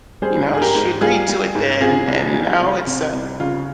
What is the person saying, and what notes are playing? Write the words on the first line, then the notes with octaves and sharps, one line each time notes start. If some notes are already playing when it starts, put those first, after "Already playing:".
you know, she agreed to it then and now it's a"
G3 G#4 C5
G#2
G#4
G4 A#4
G#2
G3 F4 G#4
G3
G#2
C3 F4 G#4
C2
G3
C2
C3
C2
C#3 F4